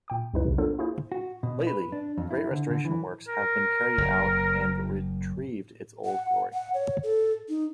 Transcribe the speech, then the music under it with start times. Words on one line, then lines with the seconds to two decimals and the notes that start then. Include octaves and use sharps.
Lately, great restoration works have been carried out and retrieved its old glory.
0.08 A#2 G5 D6
0.33 C#2 F#2 B2 D#4 E4 B4
0.45 B1 E2 A2 C3
0.58 A#3 B3 D4 F4 A4 C5
0.78 A#3 E4 F4 G#4 C5
1.12 F#4
1.43 B2
1.67 B4
1.92 D4
2.18 F2
2.31 E4
2.51 D3
2.71 D3
2.85 E3
3.28 A#4
3.98 F#1
6.05 F#5
6.53 F#5
6.74 C#5
7.03 A4
7.49 D#4